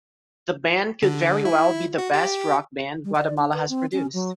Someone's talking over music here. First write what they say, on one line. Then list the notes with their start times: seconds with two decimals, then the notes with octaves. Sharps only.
The band could very well be the best rock band Guatemala has produced.
1.03 D3
1.45 E4
1.98 F#4
2.13 G4
3.05 G3
3.16 D5
3.38 D4
3.53 B4
3.69 C4
3.93 C#4
4.14 F#3